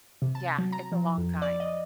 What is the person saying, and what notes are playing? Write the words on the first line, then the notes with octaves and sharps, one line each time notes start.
Yeah, it's a long time.
C3
A5
F#3
A#5
F3
F2
D5
D#5